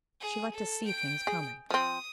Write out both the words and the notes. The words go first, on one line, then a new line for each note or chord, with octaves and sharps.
She liked to see things coming.
G#4
A4
G5 D7
G#4
F3 C4 D#6